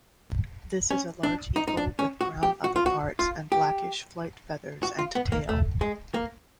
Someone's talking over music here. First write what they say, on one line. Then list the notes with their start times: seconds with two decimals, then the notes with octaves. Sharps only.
This is a large eagle with brown upperparts and blackish flight feathers and tail.
0.91 C#4
1.23 D4
1.56 D#4
1.67 D#4
1.77 D4
1.99 C#4
2.21 F#4
2.43 G4
2.64 F#4
2.76 F4
2.86 F#4
3.19 F4
3.52 G4
4.83 F#4
4.99 F4
5.15 B3
5.32 A#3
5.49 A3
5.81 G#3
6.14 A#3